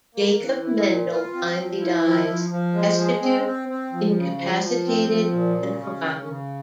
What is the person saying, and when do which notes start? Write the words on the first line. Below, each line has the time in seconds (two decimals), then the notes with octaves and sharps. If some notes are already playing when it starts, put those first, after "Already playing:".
Jacob Mendel finally dies, destitute, incapacitated and forgotten.
0.15 A#3
0.39 E3
0.63 E4
0.85 A#2
1.10 F4
1.34 C4
1.56 F3
1.80 E4
2.04 F3
2.27 F3
2.50 F3
2.74 G#3
2.98 G#3
3.22 C4
3.45 C4
3.69 C4
3.93 F3
4.16 C#3
4.40 F3
4.63 F3
4.87 C4
5.10 F3
5.33 A#2
5.58 C#3
5.80 C#4
6.04 C#3
6.28 C#3